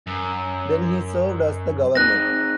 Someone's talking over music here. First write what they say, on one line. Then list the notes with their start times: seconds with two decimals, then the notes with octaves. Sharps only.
Then he served as the Governor.
0.07 F#2
1.95 C4 D#4 G#4 F#6 A#6